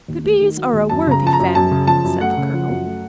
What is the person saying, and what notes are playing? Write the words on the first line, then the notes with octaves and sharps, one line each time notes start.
"The Bees are a worthy family," said the colonel.
D#2
A3
D#3
F#3
D#2
F#2 A5
C#3 A#5
F3 A5
A#5
F#2
F#2 A5
C#3
F3 A5
F#2
A3 F#5
C#3
F3
F#2
A3